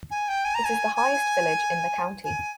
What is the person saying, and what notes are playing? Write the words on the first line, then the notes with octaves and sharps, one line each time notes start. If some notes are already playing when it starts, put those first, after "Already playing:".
It is the highest village in the county.
G#5
G5
G#5
A#5
G#5
G#5
G#5